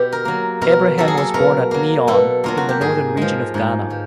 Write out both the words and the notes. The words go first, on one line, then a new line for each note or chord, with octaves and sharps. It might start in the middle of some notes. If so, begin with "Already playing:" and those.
Ibrahim was born at Mion in the Northern Region of Ghana.
Already playing: B2 G4
A#4
F#3 A#3
B2 A#4
F#3 A#3 A4
G#4
A4
B2 A#4
F#3 A#3
B2 A4
F#3 A#3 F4
F#4
G4
G#2 G#4
F3 G#3
G#2
F3